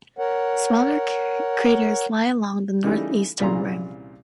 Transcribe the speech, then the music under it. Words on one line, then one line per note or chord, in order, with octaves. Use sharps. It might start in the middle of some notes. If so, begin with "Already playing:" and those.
Smaller craters lie along the northeastern rim.
A#4 C#5 F#5
C#3 E3 G3 A3 D#4
C2 A#2 C#3 E3 A#5 C6